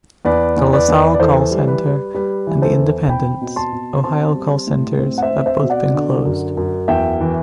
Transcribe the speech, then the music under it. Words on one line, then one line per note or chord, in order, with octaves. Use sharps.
The LaSalle call center and the Independence, Ohio call centers have both been closed.
E2 B4 D5
E2
B4 D5
E2
D5
E3 A4 C5
G3
B4
G3
G3 B4
E3
A4 C5
E2
C4 G5 B5
B2
A5 C6
B2
C4 A5 C6
G3
A2
C4
F#5
C5 E5
C4
C5 E5
B2
D5 F#5
D3
F#2
F#2
E2 E5 G5
E3